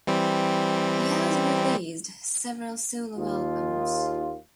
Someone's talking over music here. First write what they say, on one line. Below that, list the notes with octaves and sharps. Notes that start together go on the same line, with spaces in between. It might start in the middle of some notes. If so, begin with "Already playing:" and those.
He has released several solo albums.
E3 G3 C4
D#2 F4